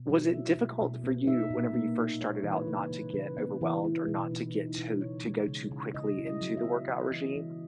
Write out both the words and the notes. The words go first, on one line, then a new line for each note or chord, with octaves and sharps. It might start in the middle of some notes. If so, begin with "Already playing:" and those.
Was it difficult for you whenever- you first started out- not to get overwhelmed or not to get too to go too quickly into the workout regime?
Already playing: B2
F#3
E4 E5
B2
B2
B3
D#4 E5
A#2
A#3
D#4
G#3 C#5
E3
B4
C#3
B4
C#3
C#3 B4
B3
E3
E4
B2
D#4
D#4
B2
C#3 C#5
G#3
C#3
C#3
C#3 D#5
E4
D#5
F#3
E5
B3
E3 D#5
E3
E3